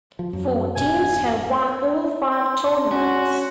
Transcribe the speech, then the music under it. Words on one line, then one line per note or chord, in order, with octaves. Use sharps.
Four teams have won all five tournaments.
F3
F#2 F#3
E1 G2 B2 G#5
C6
C#4 F#4